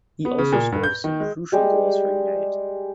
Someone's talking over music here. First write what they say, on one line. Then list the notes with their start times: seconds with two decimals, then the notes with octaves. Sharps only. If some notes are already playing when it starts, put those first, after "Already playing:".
He also scored some crucial goals for United.
0.25 B3
0.38 C#3
0.52 A#2
0.72 G2
0.84 G6
1.04 D#3
1.20 G#3
1.52 G3 G#3 G4